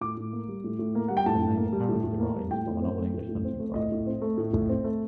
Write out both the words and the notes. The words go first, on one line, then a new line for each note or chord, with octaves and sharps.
The name apparently derives from an old English hunting cry.
A2 D6
A2
A#3
G3
A2
A2
A#3
G3 F#5
G5
A2 A5
A2
A#3
G3
A2
A2
A#3
G3
A2 G5
A2
C4
A3
A2
A2
C4
A3
A2 D#5
A2
C4
A3
A2
A2
C4
A3